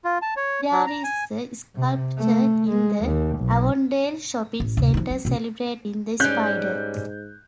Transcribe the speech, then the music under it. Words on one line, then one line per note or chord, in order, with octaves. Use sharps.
There is a sculpture in the Avondale shopping centre celebrating the spider.
F4
A5
C#5
F#3
A#5
G#5
C3
A3
G#3
D#2
B1
A1
D2 C3
F3 D#4
F#3
C#2 B2
G#2 G3 C#4 F#6 G6